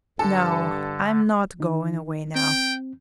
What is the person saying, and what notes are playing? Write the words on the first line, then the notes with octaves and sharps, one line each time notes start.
"No, I'm not going away now."
G2 D3 A4
D#3 D#4
C4 G5